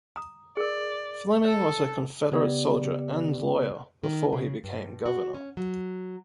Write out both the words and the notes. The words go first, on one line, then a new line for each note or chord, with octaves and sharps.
Fleming was a Confederate soldier and lawyer before he became governor.
A#5 D#6
G#4 A#4 D5
A4 C#5
C#3 B3 G4 D5
D#3
C#3
G2
F#4
C#4
F#3